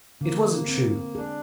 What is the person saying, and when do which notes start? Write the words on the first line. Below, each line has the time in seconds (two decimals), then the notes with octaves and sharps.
It wasn't true.
0.21 D3 A#3
0.68 C4
1.15 D4 G#4